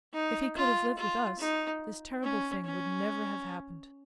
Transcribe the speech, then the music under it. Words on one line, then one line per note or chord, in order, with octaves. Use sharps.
If he could have lived with us, this terrible thing would never have happened.
D#4
F4
F4
D#4
C#4
C#4